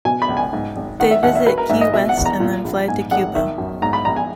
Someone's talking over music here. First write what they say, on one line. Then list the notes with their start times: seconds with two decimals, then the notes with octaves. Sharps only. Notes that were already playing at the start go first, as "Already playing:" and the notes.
They visit Key West and then fly to Cuba.
0.05 B2 G#5
0.22 B5
0.29 C#2
0.37 G#5
0.53 G#2
0.76 G#1
1.00 D#3 F#5
1.11 E5
1.23 D#2 F#5
1.35 E5
1.46 F#3 B4
1.58 A#4
1.70 G#2 E5
1.81 D#5
1.93 B2 E5
2.09 F#5
2.17 E2
2.26 A#5
2.40 A#2
2.64 A#1
2.88 G#2 G#5
3.11 G#1 F#5
3.35 D#3 E5
3.58 F#2
3.82 G#2 A#5
3.93 B5
4.05 A#1 A#5
4.16 G#5